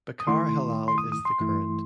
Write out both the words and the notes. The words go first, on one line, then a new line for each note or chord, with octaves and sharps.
Bechara Helal is the current.
D#6
D#3 A3 E4 C6
C6
D#6
D#6
C6
G2 E3 A3 E4